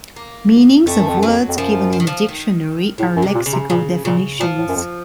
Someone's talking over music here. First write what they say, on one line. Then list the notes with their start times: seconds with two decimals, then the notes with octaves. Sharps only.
Meanings of words given in a dictionary are lexical definitions.
0.16 A#3
0.87 F2 A3
0.98 F#2
1.08 F2
1.19 F#2 F#3
1.29 F2
1.48 F2
1.58 F#2 F3
1.93 F3
2.00 D#3
2.07 F3
2.29 D#3
2.98 A2 C#3
3.16 F#2
3.22 C3
3.35 A#2
3.46 C#3
3.52 C3
3.69 A#2 C#3
4.05 A#2 C#3
4.40 A#2 F3
4.58 A2
4.68 F#2
4.76 F2